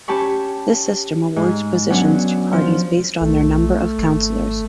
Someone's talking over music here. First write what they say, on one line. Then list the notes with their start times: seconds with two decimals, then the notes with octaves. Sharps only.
This system awards positions to parties based on their number of councillors.
0.08 C#4 G4 A5 B5 C#6
1.36 G#2
1.90 F#3 B3 C#4 D4
2.52 F3
3.21 B1 A3
3.99 G#1